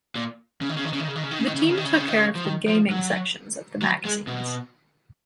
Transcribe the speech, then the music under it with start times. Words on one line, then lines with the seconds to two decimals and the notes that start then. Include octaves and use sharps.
The team took care of the gaming sections of the magazines.
0.15 A#2
0.61 C#3
0.69 D#3
0.77 C#3
0.85 D#3
0.93 C#3
1.00 D#3
1.08 C#3
1.15 D#3
1.23 C#3
1.31 D#3
1.39 C#3
1.47 D#3
1.55 C#3
1.62 D#3
1.70 C#3
1.77 D#3
1.84 C#3
1.93 D#3
2.00 C#3
2.08 D#3
2.16 C#3
2.35 F3
2.45 D#3
2.68 F3
2.90 F#3
3.82 F#3
4.05 G#3
4.27 B2